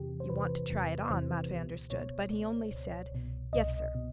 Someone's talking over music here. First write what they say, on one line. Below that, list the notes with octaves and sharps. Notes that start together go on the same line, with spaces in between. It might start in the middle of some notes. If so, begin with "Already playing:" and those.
"You want to try it on," Matvey understood, but he only said, "Yes sir."
Already playing: E2 C3 E3 G4
C5
E2 C3 E3 B4
E2 C3 E3
E2 C3 E3 C5
C#2 B2
C#2 B2 C#5
C#2 B2 D5
C#2 B2
C2 B2
C2 B2 D#5
B2